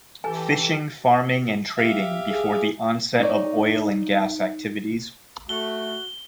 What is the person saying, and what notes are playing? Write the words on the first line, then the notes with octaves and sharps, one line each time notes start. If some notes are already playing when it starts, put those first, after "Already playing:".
Fishing, Farming and Trading before the onset of Oil and gas activities.
E3 G4 A4 G5 G#5
G4 E5 F5
G#4
D#4 C#5 D5
A3 F#4 G7